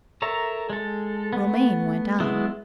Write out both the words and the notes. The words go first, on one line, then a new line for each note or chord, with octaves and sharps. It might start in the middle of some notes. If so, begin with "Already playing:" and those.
Romayne went on.
A4 A#4 C#5 E5 A#5
G#3 A4
A3 B3
F#3 G#3 B3 E4